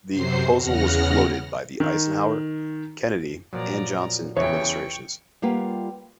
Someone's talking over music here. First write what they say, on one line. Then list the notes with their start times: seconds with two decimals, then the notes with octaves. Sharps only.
The proposal was floated by the Eisenhower, Kennedy, and Johnson administrations.
0.10 F#2 C3 F#3 C5 C7
0.56 E2 C#3 F#5 F6 A#6
1.80 D#3
3.53 A#2 F3 F#3 D5 A#5
4.36 E2 C#3 E3 C#5 E5 G5 C#6
5.42 G3 A#3 F4 G4 B4 F#5